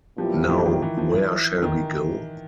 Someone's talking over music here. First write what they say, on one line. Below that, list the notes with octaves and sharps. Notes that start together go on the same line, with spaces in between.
Now where shall we go?
A#2 F3 F#3 B3 E4 G4
F3
E3
D#3
E3
F3
E3
D#3